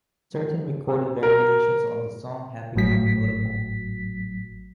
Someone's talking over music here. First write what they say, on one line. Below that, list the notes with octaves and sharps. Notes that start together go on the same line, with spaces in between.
Certain recorded variations on the song have become notable.
A#4
G#1 A2 F#3 B6